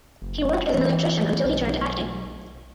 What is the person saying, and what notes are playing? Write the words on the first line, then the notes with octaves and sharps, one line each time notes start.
He worked as an electrician until he turned to acting.
F#1
E3
B1